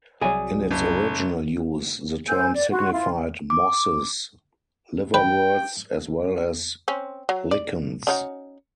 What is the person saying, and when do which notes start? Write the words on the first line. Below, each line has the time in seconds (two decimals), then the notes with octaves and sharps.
In its original use the term signified mosses, liverworts as well as lichens.
0.21 C2 F#3 G#4 D5 G#5
0.71 F#1
2.28 C5 G#5 E6 G6
2.52 D5
2.71 F#4 F#5 C6 C#6
2.91 E4 F4 F5 C6
3.50 D6
5.14 B4 G5
6.88 C4 C#4
7.29 F#3
7.51 D5
8.07 C#4 D#4 F#4